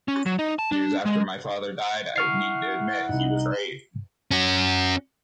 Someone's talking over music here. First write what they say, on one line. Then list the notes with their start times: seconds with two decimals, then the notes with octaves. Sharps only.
Years after my father died I need to admit: He was right.
0.08 C#4
0.26 F#3
0.39 D#4
0.59 A5
0.72 D4
1.05 G#3
2.16 E4 F#5 C#6 F6 C7
3.09 C2 F#2 D#4
4.31 C#4 F#4